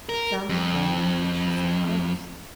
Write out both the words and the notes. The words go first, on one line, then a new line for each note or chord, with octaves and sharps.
Some affirm that she saw ghosts.
A#4
F2